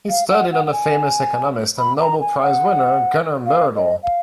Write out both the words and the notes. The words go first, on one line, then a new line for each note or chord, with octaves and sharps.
He studied under famous economist and Nobel Prize Winner Gunnar Myrdal.
F5
F#5
F#5
F#5
G#5
B5
A#5
G#5
F#5
F5
D#5
F5